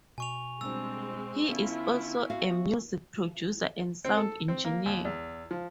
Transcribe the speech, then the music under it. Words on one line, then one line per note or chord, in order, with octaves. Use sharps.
He is also a music producer and sound engineer.
B2 G#5 C#6 F7
G3 G#3 B3 C4 D4 E6
D3 B3 C#4 E4 F4 B4
F#4 E5 F5
C4
A4
C4
A#3
D#2
E2
F3